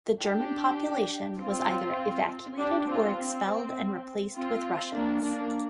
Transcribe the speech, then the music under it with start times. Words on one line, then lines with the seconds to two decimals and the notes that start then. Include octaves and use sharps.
The German population was either evacuated or expelled and replaced with Russians.
0.22 D4 G4
1.40 C4 F4
2.58 D4 G4
2.88 C4 F4
3.17 C4
4.35 C4 F4
4.94 A#3 D4
5.23 A#3 D4